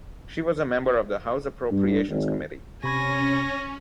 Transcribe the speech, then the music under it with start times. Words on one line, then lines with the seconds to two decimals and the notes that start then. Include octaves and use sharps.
She was a member of the House Appropriations Committee.
1.70 G2
2.09 G#1
2.84 C3 C#4 G#5 B5 C#6 G#6 A#6